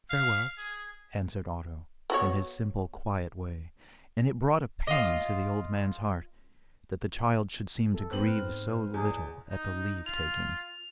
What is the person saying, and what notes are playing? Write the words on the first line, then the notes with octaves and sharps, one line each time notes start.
"Farewell," answered Otto, in his simple, quiet way, and it brought a pang to the old man's heart that the child should seem to grieve so little at the leave-taking.
F5
G#4
B3 F#4 C#5
F4 D#5
A4
B3 C4 F#7
G#2 F6 F#6
E2 G#4
D#4
F4 F7